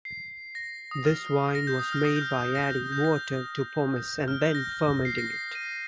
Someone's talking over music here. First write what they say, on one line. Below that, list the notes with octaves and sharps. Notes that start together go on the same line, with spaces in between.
This wine was made by adding water to pomace and then fermenting it.
C7
A#6
D#6
F6
A#6
G6
D#6
F6
D#6
G6
F6
G6
A#6
G6
G6
A#6
F6
G6
A#6
C7
A#6
C7
D#7